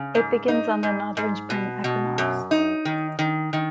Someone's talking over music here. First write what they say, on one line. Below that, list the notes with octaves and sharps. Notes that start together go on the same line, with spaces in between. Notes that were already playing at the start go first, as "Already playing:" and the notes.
It begins on the northern Spring equinox.
Already playing: C#3
G#2
D#4
G#2
G#2
B2
B2
F#2
D#4
D#3
D#3
D#3